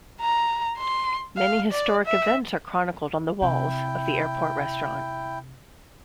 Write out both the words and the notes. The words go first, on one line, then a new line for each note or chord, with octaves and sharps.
Many historic events are chronicled on the walls of the airport restaurant.
A#5
C6
F5
D5
E5
C3 E4 G5